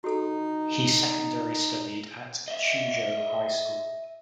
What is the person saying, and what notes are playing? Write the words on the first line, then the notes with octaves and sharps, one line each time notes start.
He secondary studied at Chuzhou High School.
D#4 F#4 A4
D#5 E5